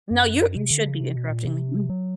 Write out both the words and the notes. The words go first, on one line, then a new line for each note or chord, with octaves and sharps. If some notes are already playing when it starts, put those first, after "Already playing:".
No, you're you should be interrupting me, mm.
F#2
C3
D3
C#3
C3
B2
A#2
C3
F#3